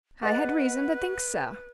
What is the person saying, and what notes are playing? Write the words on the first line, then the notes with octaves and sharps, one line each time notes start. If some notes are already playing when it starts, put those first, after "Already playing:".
"I had reason to think so."
G#4 B4 D#5 F#5